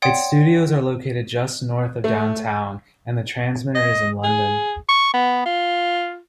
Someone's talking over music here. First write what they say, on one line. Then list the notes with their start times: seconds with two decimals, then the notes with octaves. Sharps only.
Its studios are located just north of downtown, and the transmitter is in London.
0.02 C#5 D5 F#5 G5 C6 D#6
2.04 A3
3.75 D#5
4.24 G#4
4.89 C#6
5.14 B3
5.46 F4